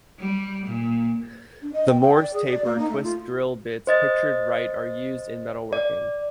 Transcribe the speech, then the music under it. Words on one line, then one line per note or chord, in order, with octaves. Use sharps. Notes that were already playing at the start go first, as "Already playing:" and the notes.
The Morse taper twist drill bits pictured right are used in metalworking.
G3
A#2
D4
D#5
G5
G5
D5
G#4
D5
A#3
D#4
A3
F4
C5 D#5 A6
D5